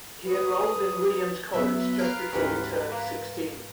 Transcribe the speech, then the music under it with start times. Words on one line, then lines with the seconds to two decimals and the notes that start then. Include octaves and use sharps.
He enrolled in Williams College just before he turned sixteen.
0.25 B4 D#6
1.54 F#3 B3 B4 E5
1.99 F4 A#4 F6 C7 D7
2.33 D2 G#2 E3 C#4 G4 A#4
2.92 A#3